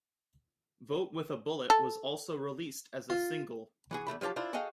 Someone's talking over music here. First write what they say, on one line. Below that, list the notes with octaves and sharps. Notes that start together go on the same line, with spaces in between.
"Vote with a Bullet" was also released as a single.
A4
F4
E3 F#4 G#4
E2 A#2 A3 B5
F3 F#3 F4 G4 A5
D4 E4 F4 C5
F#4 G#4 A4 D#5 F5 G5